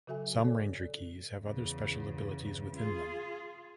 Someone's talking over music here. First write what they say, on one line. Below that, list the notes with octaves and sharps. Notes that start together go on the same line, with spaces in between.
Some Ranger Keys have other special abilities within them.
C#3 F#3 F#4 A4 E5 G#5
A4 C#5 D5
E2 C#3
F4 G#4